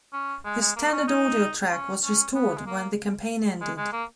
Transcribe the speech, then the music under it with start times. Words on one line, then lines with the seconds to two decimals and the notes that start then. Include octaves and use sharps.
The standard audio track was restored when the campaign ended.
0.13 C#4
0.45 G#3
0.61 G#3
0.76 A#3
0.92 C#4
1.08 D#4
1.71 C#4
2.04 C#4
2.35 B3
2.57 G#3
2.66 A#3
3.61 G#3
3.78 G#3
3.93 A#3